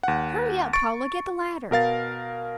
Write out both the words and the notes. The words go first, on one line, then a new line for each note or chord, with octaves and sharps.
Hurry up, Paula, get the ladder.
D#2 F#5
C#6 A6 D7
B2 A#4 F5 A6